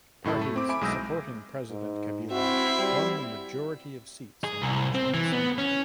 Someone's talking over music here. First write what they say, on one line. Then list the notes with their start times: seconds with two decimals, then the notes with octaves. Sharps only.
Parties supporting President Kabila won the majority of seats in the National Assembly.
0.24 F#2 A2 E4 A4
0.41 A3
0.56 C4 D6
0.69 E5 G#5 B5 D6 D7
0.81 B1 G#3 D#6 E6 G6 A#6
1.71 G#2
2.32 C4 E4 F#4 E5
2.79 G3
4.44 G#4
4.62 C2
4.95 C4
5.14 E3
5.32 B3
5.58 C#4